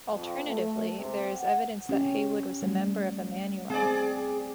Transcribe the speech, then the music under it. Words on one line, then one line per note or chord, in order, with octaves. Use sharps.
Alternatively, there is evidence that Heywood was a member of Emmanuel.
F2
A3
C3
F#5
C#4 G4
G3 A3
C4 G#4 D5